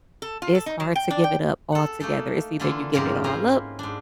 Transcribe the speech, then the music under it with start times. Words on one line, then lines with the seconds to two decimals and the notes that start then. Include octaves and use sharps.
it's hard to give it up altogether. It's either you give it all up,
0.22 A4
0.42 F4
0.55 A4
0.66 D#4
0.80 F#3
0.96 G5
1.10 D4
1.24 G5
1.72 A4 F#5
2.00 A3 A#3 D#4 A4
2.60 D3 E3 A#3 F4 A4
2.93 F2 G#2 C#3 G4 A#4 D5
3.24 C#4 E4 F4 A#4 C5 A#5
3.79 G#2 D4